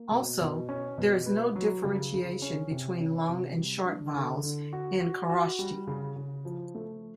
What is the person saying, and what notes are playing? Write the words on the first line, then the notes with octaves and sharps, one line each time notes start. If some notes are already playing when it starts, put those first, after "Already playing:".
Also, there is no differentiation between long and short vowels in Kharosthi.
Already playing: A#3
B2
B2
C#4
B2
B3
F#3
C#3
C#3
C#4
C3
C#4
C3
G3
D4
D3
D3
F#4
F#4
F#4
G3
C#3
C#3
F3
A3